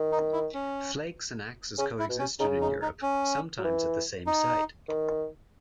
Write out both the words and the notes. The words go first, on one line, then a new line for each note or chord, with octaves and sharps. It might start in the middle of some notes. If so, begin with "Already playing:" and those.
Flakes and axes coexisted in Europe, sometimes at the same site.
Already playing: D#3
D#4
E4
C#4
C#3 C#4
E4
B2
C#4
C#3 D#4
D#4
D#4
C#4
F#3
E3
D#4
D#3